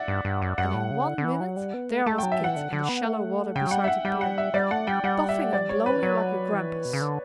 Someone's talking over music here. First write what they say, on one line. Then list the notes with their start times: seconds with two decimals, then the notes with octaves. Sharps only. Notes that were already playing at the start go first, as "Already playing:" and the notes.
And in one minute there was Kit in the shallow water beside the pier, puffing and blowing like a grampus!
Already playing: D5 E5 F#5
0.08 G2
0.25 G2
0.42 F#2
0.58 F#2 F#5
0.74 A2
0.91 C#3
1.07 D3
1.18 D3
1.25 E3
1.40 F#3
1.56 G3
1.74 B3
1.90 A3
2.06 A3 A5
2.18 F#3 G5
2.32 E5
2.40 E3 F#5
2.56 D3
2.73 D3
2.89 B3
3.06 A3
3.56 C#3 G5
3.67 F#3
3.71 G3 F#5
3.84 E5
3.88 F#5
4.05 G3 G5
4.21 F#5
4.38 E5
4.54 G3 D5
4.71 A3 F#5
4.87 G3 G5
5.04 G3 F#5
5.29 E5
5.53 D5
5.69 C#5
5.86 B4
5.96 E3
6.03 F#3 C#5
6.53 E3
6.85 B2
6.93 C#3
7.01 D3